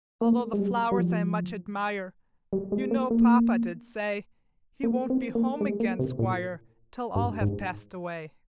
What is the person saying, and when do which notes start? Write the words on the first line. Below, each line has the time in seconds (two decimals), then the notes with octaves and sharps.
"Although the flowers I much admire, You know papa did say He won't be home again, Squire, Till all have passed away."
0.21 A#3
0.53 G#3
0.60 G3
0.92 G3
0.98 F3
2.53 G3
2.72 G#3
2.91 A#3
3.11 A#3
4.83 A#3
5.10 C4
5.35 A#3
5.61 G#3
5.80 A#3
5.99 C3
6.19 A#2
7.15 G2
7.41 G#2